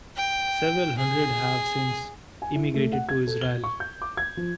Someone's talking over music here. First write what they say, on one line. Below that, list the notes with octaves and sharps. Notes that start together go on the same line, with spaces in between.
Several hundred have since emigrated to Israel.
G5
G#4
G#5
E4
A3
F#5
G#6
A4
G7
C#6
G6
D6
G#6
F3